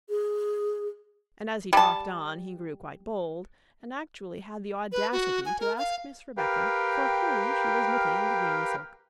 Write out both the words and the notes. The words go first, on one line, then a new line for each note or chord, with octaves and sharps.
And as he talked on, he grew quite bold, and actually had the audacity to ask Miss Rebecca for whom she was knitting the green silk purse?
G#4
G3 A5
B4
F#4
G#5
A#4
F5
G4 A#4 B4 F5 G5